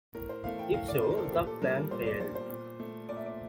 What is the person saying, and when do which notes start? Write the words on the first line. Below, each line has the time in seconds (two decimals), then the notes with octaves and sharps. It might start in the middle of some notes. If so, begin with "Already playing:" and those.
If so, the plan failed.
0.14 A2 A#4
0.29 C5
0.44 E3 A3 F5
0.59 G5
0.73 A2 F5
0.88 D5
1.03 E3 A3 C5
1.11 A#4
1.18 A4
1.32 A#2 G4
1.47 A4
1.62 G3 A#4
1.91 A#2 C5
2.06 D5
2.20 G3 C5
2.35 C5
2.50 A#2
2.80 A3
3.09 A#2 D5
3.17 E5
3.26 D5